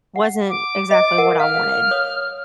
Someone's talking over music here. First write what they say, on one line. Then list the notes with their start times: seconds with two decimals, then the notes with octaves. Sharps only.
wasn't exactly what I wanted,
0.16 F#5
0.50 D6
0.91 D#5 D6
1.18 A#4 F#5
1.40 F5 F6
1.91 C#5 D#6